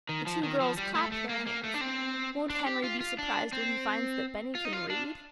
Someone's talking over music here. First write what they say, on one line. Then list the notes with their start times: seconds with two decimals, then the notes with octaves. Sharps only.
The two girls clapped their hands. "Won't Henry be surprised when he finds that Benny can read?"
0.09 D#3
0.26 F3
0.43 D#3
0.60 F3
0.78 G3
0.95 A3
1.12 A3
1.29 A#3
1.47 A#3
1.64 A3
1.74 D4
1.81 C4
2.50 D4
2.66 G4
2.84 F4
3.00 F4
3.19 D4
3.52 C4
4.55 F4
4.65 D#4
4.73 F4
4.90 D4